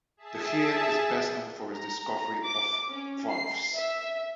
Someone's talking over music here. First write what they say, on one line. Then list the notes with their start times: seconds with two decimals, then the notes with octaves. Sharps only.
De Geer is best known for his discovery of varves.
0.17 G#4 E5 A5
1.74 A#5
2.44 D6
2.90 C#4
3.31 C7
3.75 E5